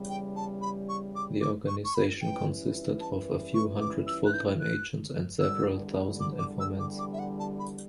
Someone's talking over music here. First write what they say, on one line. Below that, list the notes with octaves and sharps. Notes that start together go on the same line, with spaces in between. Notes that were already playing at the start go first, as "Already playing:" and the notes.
The organization consisted of a few hundred full-time agents and several thousand informants.
Already playing: E2 C#3 G3
G5
A5
B5
C#6
D6
D6
C#6
C#6
B5
E3 G3 C#4 E4 B4 G5
A5
C#6
D6
E6
F#6
G6
F#6
E2 D3 G3 E6
D6
D6
E6
D6
D6
E5
F#5
A5
B5